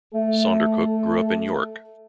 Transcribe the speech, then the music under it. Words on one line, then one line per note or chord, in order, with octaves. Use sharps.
Saundercook grew up in York.
A3 A4